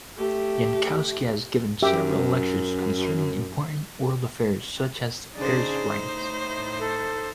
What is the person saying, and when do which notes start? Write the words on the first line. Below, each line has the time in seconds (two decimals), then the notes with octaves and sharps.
Jankowski has given several lectures concerning important world affairs such as the Paris riots.
0.18 A3 G4
1.83 F#2 G4 E5
5.37 C#3 D4 D#4 G#4 C5
5.94 A2
6.79 A4